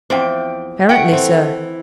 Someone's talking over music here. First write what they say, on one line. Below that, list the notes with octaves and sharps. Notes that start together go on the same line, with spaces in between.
"Apparently, sir."
E2 F3 C4 G5
A3 F#5 G5
E3 C4